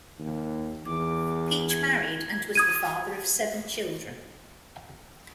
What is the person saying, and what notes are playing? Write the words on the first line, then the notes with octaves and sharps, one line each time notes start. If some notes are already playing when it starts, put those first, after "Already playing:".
Peach married and was the father of seven children.
D#2
E2 D6
G#6
D#6 G#6 D#7